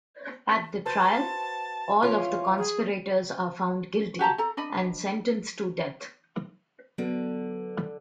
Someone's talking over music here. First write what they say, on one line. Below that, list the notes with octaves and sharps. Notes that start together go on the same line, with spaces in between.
At the trial, all of the conspirators are found guilty and sentenced to death.
F#4 B4 C5 A5
E3 C#4 F4
G#4
F#4 G4 A5 A#5
A4 A#5
D4 D#5 B5
D3 F#3 B3